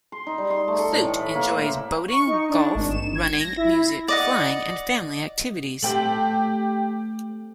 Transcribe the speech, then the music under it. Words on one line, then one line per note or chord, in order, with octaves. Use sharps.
Thuot enjoys boating, golf, running, music, flying and family activities.
C6
D#4
G3
C6
A3
A4
A2
E3
B5
A#3
C5
E5
C#6
D#4
D4
G#1
E7
G#6
A#6
E4
D5 D#5 F#5
A3 C4 G4 G5 F#7